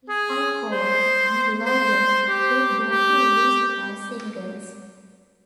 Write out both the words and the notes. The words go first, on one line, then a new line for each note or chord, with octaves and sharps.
"If I Fall" and "Divided" were both released as singles.
G#4
C5
C5
G4
G4